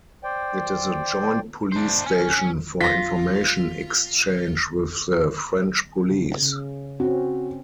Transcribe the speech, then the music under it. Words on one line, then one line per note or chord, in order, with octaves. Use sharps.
It is a joint police station for information exchange with the French police.
C5 D5 G5
D4 C5
C#4
F4 A#6 B6
C#3
C#3
C4 C#4 F#4